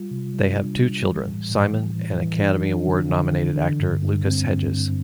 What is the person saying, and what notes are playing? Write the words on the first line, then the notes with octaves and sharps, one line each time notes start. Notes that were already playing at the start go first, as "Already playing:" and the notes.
They have two children, Simon and Academy Award-nominated actor Lucas Hedges.
Already playing: G3 F4
C3
G3
D4
G3
E3
A2
A2
E3
E3
E3
D4
D4
D3
D3
D3
D3
G2
G2
C4
G2
G2